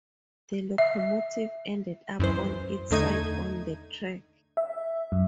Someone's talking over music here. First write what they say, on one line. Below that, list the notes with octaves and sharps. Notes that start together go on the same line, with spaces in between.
The locomotive ended up on its side on the track.
E5
F#2 E3 C5
E2 D3 A3 D#4 G#6 D#7
E5
F#2